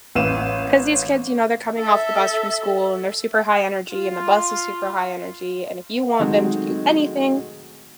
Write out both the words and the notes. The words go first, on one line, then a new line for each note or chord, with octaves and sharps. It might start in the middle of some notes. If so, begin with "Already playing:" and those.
'Cause these kids, you know, they're coming off the bus from school and they're super high energy, and the bus is super high energy, and if you want them to do anything,
A1 B4 F5 D#7 E7
A4 E5
F4
D#3 F#3 G#3 A3 C4